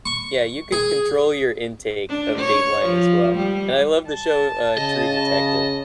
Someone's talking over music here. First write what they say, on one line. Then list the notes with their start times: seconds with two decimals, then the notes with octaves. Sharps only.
Yeah, you can control your intake of Dateline as well, and I love the show, uh, True Detective.
0.06 C#6
0.72 G#4
2.09 D4
2.39 C#5
2.86 F3
3.36 G3
4.09 A5
4.77 C#3 D#5